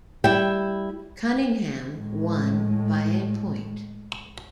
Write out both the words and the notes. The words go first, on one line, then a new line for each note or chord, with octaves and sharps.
Cunningham won by a point.
G3 E4 E5 G5
A2 G#3